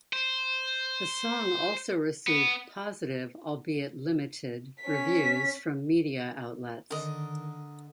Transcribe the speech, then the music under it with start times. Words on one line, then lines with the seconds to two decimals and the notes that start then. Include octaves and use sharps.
The song also received positive-albeit limited-reviews from media outlets.
0.13 C5
2.27 B3
4.82 C#4 B6
6.91 D3 D#3 A#4 D#5